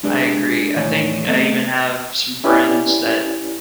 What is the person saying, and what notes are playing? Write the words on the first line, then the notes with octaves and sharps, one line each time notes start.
I agree, I think I even have some friends that
G#3 D4 G4 G#4 B4 D5
D#2 A2 E3 C#5 D5 G#5
A3 B3 C4 A4 B4 D#5
C#4 E4 G4 B4 D5 G#5